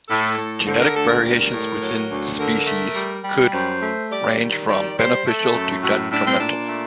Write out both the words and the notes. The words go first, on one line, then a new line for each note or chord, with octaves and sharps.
Genetic variation within a species could range from beneficial to detrimental.
A2 A4
A2
D3 C5
A#4
D2 A4
A#4
G3
A2
F#3
D2
D3 A#4
A3
G3
G3
F#2 C5
A3
G3 D5
D#3
G3 D5
G3 C5
A3 A4
F#2
A2 F#4
A2 D4
C4
A#2 D4
A3